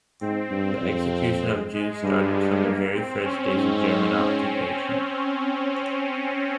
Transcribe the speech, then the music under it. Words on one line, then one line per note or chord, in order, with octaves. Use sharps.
The execution of Jews started from the very first days of German occupation.
G#2 C4
G2
F2
G#3
G#3
G2 G3
G#3
A#3
C4
C#4
G#2